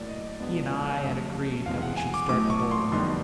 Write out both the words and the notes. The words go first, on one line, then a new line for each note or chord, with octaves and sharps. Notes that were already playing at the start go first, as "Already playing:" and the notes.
He and I had agreed that we should start the bowling.
Already playing: A2 F#3 A#3 D5
D#5
C#2 B2 G#3 B3 D4
F2 C#3 F#3 A3
E2 B2 G#3 C4 F5
F#5
G#5
D6
A1 A2 F#3 A3 D6
C#6
C6
F2 D3 G3 B3 D#4 C6